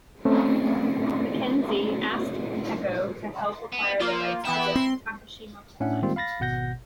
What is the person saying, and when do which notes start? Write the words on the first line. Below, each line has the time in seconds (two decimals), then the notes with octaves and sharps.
Mackenzie, asked Heco to help acquire the rights to the Takashima coal mine.
0.25 A3 C4 C#4
3.73 B3
4.00 F3 A#3 F4
4.45 E3 B3 E4 G5
4.75 C4 C6
5.80 A2 C#4 D4 E5 F#5
6.02 D#3 G3 G#3 A#3 C4 F4
6.16 F5 B5 A6 A#6
6.40 G#1 B2 F#5 G6 A#6